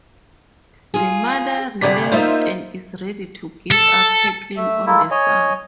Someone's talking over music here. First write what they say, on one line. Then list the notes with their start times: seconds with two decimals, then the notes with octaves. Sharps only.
The mother relents and is ready to give up her claim on the son.
0.94 F4 G#4
1.81 G1 C3 G#4 D5 F#5 B6
2.12 A#3 D#4 F4 C5 E5
3.71 A4
4.57 A3 E5
4.86 G#3 A#3 E4 A4
5.11 C#5 D#5 G#5